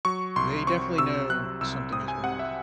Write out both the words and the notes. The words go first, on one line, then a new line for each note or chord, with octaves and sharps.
they definitely know something is wrong
F#3 C#6
C2 C6
C4 C#6
C3 E6
F#3 F#6
C2 E6
C4 D#6
G#5
C3 F#5
E5